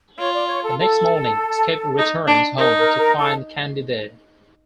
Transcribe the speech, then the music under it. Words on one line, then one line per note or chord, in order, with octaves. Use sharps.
The next morning, Skip returns home to find Candy there.
F4 C#5
D5
C#5
A4
A4
D#4
D4
D#4 A#4
A#4
A#4
A4